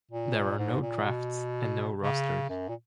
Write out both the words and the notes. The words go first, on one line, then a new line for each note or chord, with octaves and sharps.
There are no drafts and no rosters.
A#2
G#2
A#2
B2
C#3
F#2
A#2